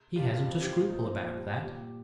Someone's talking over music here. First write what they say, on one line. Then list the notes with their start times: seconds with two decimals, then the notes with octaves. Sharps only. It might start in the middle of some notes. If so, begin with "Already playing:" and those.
He hasn't a scruple about that.
0.16 G2 G3 F4
0.46 F2 F3
0.60 G4
0.74 A#2 F3 F4
0.89 D#4
1.03 A#2 F3 C4
1.33 G2 G3
1.62 A#2 G3 G4